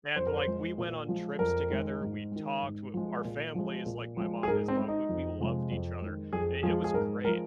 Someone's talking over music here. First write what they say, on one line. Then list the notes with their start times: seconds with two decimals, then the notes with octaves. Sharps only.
And, like, we went on trips together, we talked, w our family is like my mom, his mom- we we loved each other. I It was great.
0.16 F2 C5
0.27 A#4
0.37 C5
0.47 F3 G#3
0.78 A#2
1.08 F3 G#3
1.39 F2 A#4
1.70 D#3 G#3
2.01 G#2
2.32 D#3 G#3
2.63 G#2
2.94 F3 G#3
3.25 A#2
3.55 F3 G#3
3.86 A#2
4.17 F3 G#3
4.43 G#4
4.47 G#2 A#4
4.68 C4
4.79 G#3
4.88 D#4
5.09 F2
5.40 C3 F3 G#3
5.71 F2
6.01 D#3 G#3
6.33 F2 G#4
6.63 F3 G#3 G#4
6.84 G#4
6.94 G#2 A#4
7.25 G#3 A#4
7.27 F3